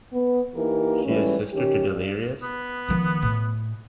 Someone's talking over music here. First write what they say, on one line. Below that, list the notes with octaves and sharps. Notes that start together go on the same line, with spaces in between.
She is sister to Delirious?
B3
E3 A#3 D#4 G4 A#4
G#2 E3 G3 A3 C#4
D#3 C#4 G4
G2
B3
D#3 F3
A2